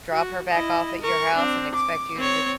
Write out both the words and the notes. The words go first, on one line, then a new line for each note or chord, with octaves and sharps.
drop her back off at your house and expect you to just
F#4
E4 D#5
A#4 C#6
C4 D4
D6
C4 C#5